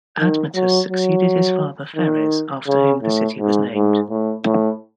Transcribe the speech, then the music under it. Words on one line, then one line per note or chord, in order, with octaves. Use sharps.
Admetus succeeded his father Pheres after whom the city was named.
D#3
F#3
F#3
D#3
C#3
A2
G#2
G#2
A2
A2